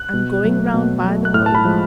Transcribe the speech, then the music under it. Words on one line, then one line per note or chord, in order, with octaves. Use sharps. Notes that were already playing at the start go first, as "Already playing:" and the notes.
I'm going round by the road.
Already playing: F#6
B2
F#3 A3
B2
F#3 A3
F#6
A2 F6
A5
B5
F3 G#3